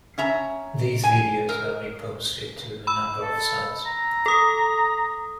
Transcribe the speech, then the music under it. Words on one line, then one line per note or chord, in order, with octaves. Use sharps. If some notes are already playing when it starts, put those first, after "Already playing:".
These videos are re-posted to a number of sites.
C#4 E5 A#5
G#5
A#4
B5 E6
A4
A#5
A4 D#6